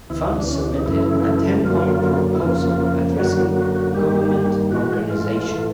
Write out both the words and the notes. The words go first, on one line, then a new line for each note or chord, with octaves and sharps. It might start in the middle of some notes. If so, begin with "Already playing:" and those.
Fan submitted a ten-point proposal addressing government organization.
D2 C3 E3 E4
D#4
D4
C#4
D4
D#4
F#2 C#3 E3 A3 E4
F#2 D3 F#3 A#3 F4
E4
F2 C#3 F3 A#3 F4
F#2 D3 F#3 A#3 F#4
F#4
F#4
G2 D#3 G3 A#3 G4
A2 E3 G#3 F#4
F4
A2 E3 A3